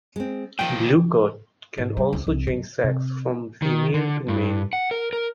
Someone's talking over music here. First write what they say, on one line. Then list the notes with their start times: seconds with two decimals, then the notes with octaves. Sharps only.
Blue cod can also change sex from female to male.
0.16 G#3 C4
0.59 A#2 D#3 F3 A#3 G5
1.77 G#2
1.97 G3
2.13 C#2
2.27 C2
2.47 F#2
2.84 C3
3.62 D#3
3.94 D3
4.28 G2
4.73 F#5
4.91 A#4
5.13 A#4